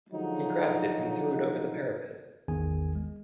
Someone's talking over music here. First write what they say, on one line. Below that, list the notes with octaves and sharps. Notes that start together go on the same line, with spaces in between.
He grabbed it and threw it over the parapet.
D3 F3 F#3 G#3 D#4
A1 E2 D#3 G#4 G#5
G#3